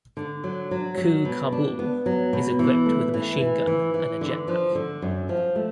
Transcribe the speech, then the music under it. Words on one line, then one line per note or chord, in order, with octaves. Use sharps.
Ku-Kabul is equipped with a machine gun and a jetpack.
D3
F#3
F#3
F#3
B2
D4
B3
F#3
B2
E3
A3
E3
E3
E3
E3
D3
F3
D3
F#2
F3
A3